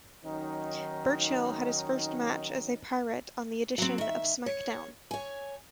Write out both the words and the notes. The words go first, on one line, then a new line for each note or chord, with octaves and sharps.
Burchill had his first match as a pirate on the edition of SmackDown!
D#3 F#3 C#4 D#4
F#3 C4
D#3 E5
C#5
C#5 G#5